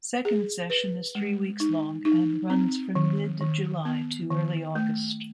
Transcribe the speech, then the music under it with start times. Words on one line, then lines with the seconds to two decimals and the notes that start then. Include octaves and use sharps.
Second session is three weeks long and runs from mid July to early August.
0.25 G#4
0.70 B4
1.15 G#3
1.60 D#4
2.05 D#4
2.50 C4
2.95 D#3
3.41 D#3
3.85 B3
4.31 D#3
4.75 A3